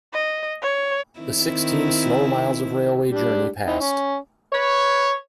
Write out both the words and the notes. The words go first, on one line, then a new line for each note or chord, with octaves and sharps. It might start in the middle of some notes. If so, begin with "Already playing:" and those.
The sixteen slow miles of railway journey passed.
D#5
C#5
D#3 C4 E4
G3 D4
C4 D#4 E4
C#4
B4 C#5